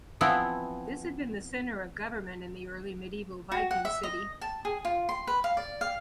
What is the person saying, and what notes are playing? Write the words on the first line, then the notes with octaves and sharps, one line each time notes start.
This had been the centre of government in the early medieval Viking city.
E3 F3 B3 C4 E4
F#4
F#5
E5
D#5
A5
G#4
F4
C6
B4
F5
D5
F5